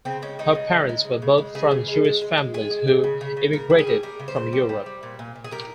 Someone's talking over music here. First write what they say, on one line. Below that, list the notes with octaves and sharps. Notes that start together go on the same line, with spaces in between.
Her parents were both from Jewish families who emigrated from Europe.
C#3 C4
G#3 C#4
G#3 D#4
C#3
C#3
G#3
G#3
C#3
G#3
C#3 G#4
C#3
G#3
G#3
G#3
G#3
G#3 G#4
G#3
A#2
C#3
C#3
C#3
C#3 A#4
G3
G#4
G3
G3 A#4
C#3
C5
C#3
G3
G3
G3
A#2
A#2
A#2
G#4
G3 A#4